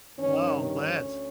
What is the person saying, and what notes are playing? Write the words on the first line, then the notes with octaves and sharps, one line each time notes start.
Wow, I'm glad.
G2 D#3 C#4
C#4
D2